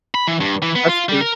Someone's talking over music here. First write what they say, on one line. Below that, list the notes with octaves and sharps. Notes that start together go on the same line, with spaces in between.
That's true. Yeah.
B5
E3
G2
E3
B3
F4
G3
A#4